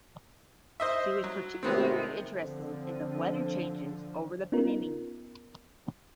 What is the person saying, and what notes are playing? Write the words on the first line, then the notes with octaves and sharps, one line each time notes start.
She was particularly interested in the weather changes over the Pennines.
C5 D#5 E5
F#3
G#1 A2 C3 G#3 B3 C4
D3 F3 C4
B3 C#4 D#4 F4 A#4